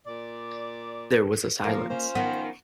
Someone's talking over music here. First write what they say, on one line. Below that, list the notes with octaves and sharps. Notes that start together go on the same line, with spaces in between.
There was a silence.
A#2 D5
A#2 F3 A#3
C#4 F4 C5
D#3 B3